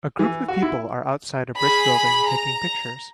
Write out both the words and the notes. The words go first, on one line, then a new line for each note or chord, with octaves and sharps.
A group of people are outside a brick building taking pictures.
E3
F#4
E4
G#4 B5
A#5